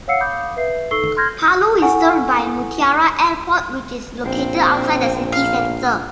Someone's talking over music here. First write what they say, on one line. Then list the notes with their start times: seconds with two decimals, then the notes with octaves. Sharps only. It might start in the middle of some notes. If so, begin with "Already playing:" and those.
Palu is served by Mutiara Airport, which is located outside the city center.
0.08 C#5 F5 F#5 E6 C7 C#7
0.20 F5 B5 D6 D#6 G6
0.56 B4 E5 C7
0.91 D#4 A4 C#6 E6 C7 G7
1.17 C6 F6 G6 G#6 A#6
1.82 E4 A4 F#5 G#5 C#6
4.24 A#1 C4
5.32 F5